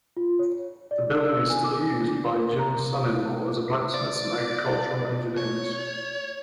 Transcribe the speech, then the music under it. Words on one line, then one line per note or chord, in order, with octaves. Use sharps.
The building is still used by Jims son-in-law as a blacksmiths and agricultural engineers.
F4
C#5
D5
E6
G#5
D6
D4
A#4
A#5
D5
C#5